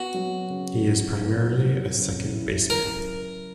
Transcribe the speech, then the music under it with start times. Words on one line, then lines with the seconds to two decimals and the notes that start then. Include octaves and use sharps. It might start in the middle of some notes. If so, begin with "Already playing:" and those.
He is primarily a second baseman.
Already playing: B3 F#4
0.14 F#3
0.50 C#3
0.87 E4
1.24 B3
1.60 F#3
1.97 C#3
2.33 E4
2.70 F#3 A#4